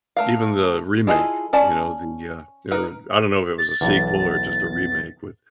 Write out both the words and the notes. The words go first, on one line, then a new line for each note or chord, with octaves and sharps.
even the remake, you know, the, uh, or I don't know if it was a sequel or just a remake with
A3 A#4 F5
E4 F4 G#4 A4 D#5
C#4 D5 A5
D#4 A#4 B4
A6
B1 E2